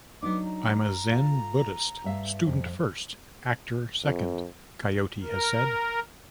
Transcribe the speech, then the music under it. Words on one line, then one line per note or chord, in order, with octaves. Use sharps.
"I'm a Zen Buddhist student first, actor second", Coyote has said.
F#3 B3 D4 D#4 D6
A#5
F4 A4
G2 E5 F5
F2
F2
A#4